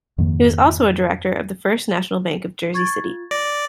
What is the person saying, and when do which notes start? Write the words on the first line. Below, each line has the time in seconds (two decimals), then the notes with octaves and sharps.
He was also a director of the First National Bank of Jersey City.
0.18 F2 G#2 D#3 A#3
2.74 C#6 G#6 A6
3.04 F4
3.31 D5 A#6